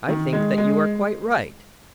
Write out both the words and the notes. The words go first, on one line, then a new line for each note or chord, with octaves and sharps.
I think that you are quite right.
D#3
G#3
G#3